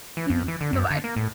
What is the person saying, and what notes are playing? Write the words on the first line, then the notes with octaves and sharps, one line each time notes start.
Mhm. Bye-bye.
E3
F2
E3
D3
F#2
D3
A#3
A2